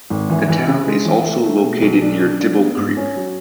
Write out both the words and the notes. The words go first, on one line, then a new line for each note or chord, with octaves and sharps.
The town is also located near Dibble Creek.
G#1
E3
E3
C#3
G#3
E3
A3
A3
B2
B1
D4
D4
D4
B3
G#2
C#4
F#3